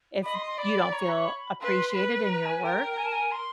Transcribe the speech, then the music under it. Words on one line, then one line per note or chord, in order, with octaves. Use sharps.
if you don't feel appreciated in your work,
D#5 B5
C6
C6
D5 B5
C#5 A#5
B5
B4 C6
C6
B4 B5
A#5
G#5
A#4 G5
G#5
A5
G#5
C6